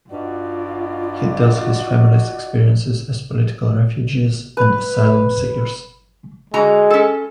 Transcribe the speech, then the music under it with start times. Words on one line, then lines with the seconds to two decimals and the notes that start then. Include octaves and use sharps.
He tells his family's experiences as political refugees and asylum seekers.
0.10 G2 D#4 F4 F#4 D5
4.57 B4
6.54 D3 G#3 F#4 A#5
6.91 C#4 A4